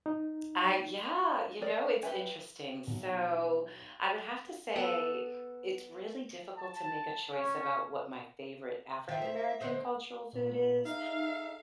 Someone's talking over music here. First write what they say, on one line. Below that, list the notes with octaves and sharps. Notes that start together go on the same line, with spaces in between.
I yeah, you know, it's interesting, so, I would have to say it's really difficult to make a choice about what my favorite African American cultural food is
D#4
G#4 A#4 D5
G4 B4 E5 G#5
B1
B3 A4
A5
C#4
D#3 F3 E5
E4 C5
D3 C5 D#5
A#2
D#4 G#4 A4 E5 F5